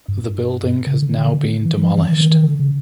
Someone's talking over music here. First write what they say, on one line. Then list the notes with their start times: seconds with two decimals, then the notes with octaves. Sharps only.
The building has now been demolished.
0.08 G2
0.87 C#3
1.02 D3
1.18 D3
1.34 D3
1.65 E3
1.81 F3
1.97 E3
2.12 D#3
2.21 E3
2.29 D#3
2.43 D3
2.59 C#3